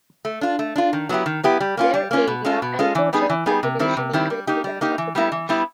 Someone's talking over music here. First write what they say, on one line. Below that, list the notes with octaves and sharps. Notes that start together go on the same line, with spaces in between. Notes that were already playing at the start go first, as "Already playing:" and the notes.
Their area and total population equate to that of the parish.
A3
D4 F4
A3
D4 F4
D#3
F#3 B3 E4 G4
D#3
F#3 B3 E4 G4
G3
A#3 C#4 F4
G3
A#3 C#4 F4
B2
G#3 C#4 F4 A4
B2
G#3 C#4 F4 A4
E3
G3 B3 D#4 G#4
E3
G3 B3 D#4 G#4
C3
D#3 G3 C4 E4
C3
D#3 G3 C4 E4
G3
A#3 D#4 G4
G3
A#3 D#4 G4
E3
G3 B3 E4
E3
G3 B3 E4